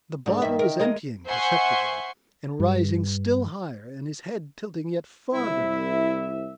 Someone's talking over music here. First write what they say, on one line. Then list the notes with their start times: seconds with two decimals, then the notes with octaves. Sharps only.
The bottle was emptying perceptibly and rising still higher and his head tilting yet further back.
0.26 G#2 D3
0.42 G2 D#3 E5
0.59 A#4
0.79 G#3 A#4 D#5
1.27 C5 E5 F#5 G#5 C6 C#6
2.60 G2
5.34 C2 E4 E5